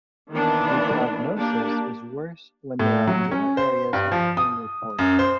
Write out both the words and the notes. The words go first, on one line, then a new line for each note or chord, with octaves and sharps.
The prognosis is worse when there are more areas of pain reported.
D#3 E3 A#3 B3 D4
A#3 D4 G4
A2
F#3
C#4
C5
G2
F3
D#6
F#2
C5